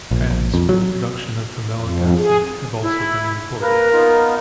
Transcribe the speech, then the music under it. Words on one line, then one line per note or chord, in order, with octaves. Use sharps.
Patents for the production of pimelic acid have also been reported.
A#1
A#1
F2
F#3
F2
G#4
E4
A#3 A#4 B4
B3 D#4 F4